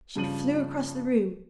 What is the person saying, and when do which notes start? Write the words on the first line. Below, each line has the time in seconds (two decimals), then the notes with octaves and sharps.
She flew across the room.
0.16 G2 C#3 F3 D#7 F#7